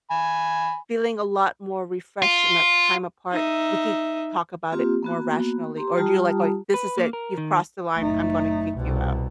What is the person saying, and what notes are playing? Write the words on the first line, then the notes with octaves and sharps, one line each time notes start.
feeling a lot more refreshed in that time apart, we could talk about it more rationally." Or do you like going, "This is it. You've crossed the line. I'm gonna kick you out."
G#5 B5
F4
D#4 E5
A#3 C4 F4 G4
A#3 B3 F#4
G4 A#5 C6
G3 F4 G4 A5 A#5 D#6
B4
A#3
A#4
D#3
F#1 A3 D#4
C2 B2